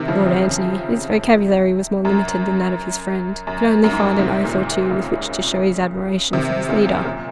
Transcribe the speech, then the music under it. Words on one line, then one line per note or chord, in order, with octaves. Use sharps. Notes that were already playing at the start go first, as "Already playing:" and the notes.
Lord Antony, whose vocabulary was more limited than that of his friend, could only find an oath or two with which to show his admiration for his leader.
Already playing: C3 D#3
C#3 F3
C3 D#3
C3 D#3
F#2
F#2
F#2
G#2
F#2
G#2 C3
A#2
G#2 C3
A#2 C#3
C3 D#3
A#2 C#3
F#2 A#2